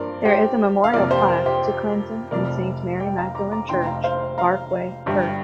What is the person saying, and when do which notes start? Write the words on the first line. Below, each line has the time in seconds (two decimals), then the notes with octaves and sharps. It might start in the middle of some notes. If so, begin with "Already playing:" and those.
There is a memorial plaque to Clinton in Saint Mary Magdalene Church, Barkway, Herts.
Already playing: G2 F3 A#3 D4 A#4 C5 D5
0.25 G4 C5
0.84 F5
0.94 F2 C3 F3 A#3 A#4 D5
1.11 G4 C5
1.28 A#4
1.46 G4 C5
2.31 F1 F2 C3 F3 A#4 D5
3.00 D5 G5
3.18 F5 A#5
3.35 A#5 D6
3.52 A#5 D6
3.69 F1 F2 F3 D4 G5 C6
3.86 F5 A#5
4.04 C5 F5
4.38 F5 A#5
5.06 G1 G2 G3